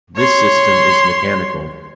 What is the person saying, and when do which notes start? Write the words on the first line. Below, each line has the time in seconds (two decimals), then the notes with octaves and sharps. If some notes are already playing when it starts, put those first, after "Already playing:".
This system is mechanical.
0.16 C#5 C6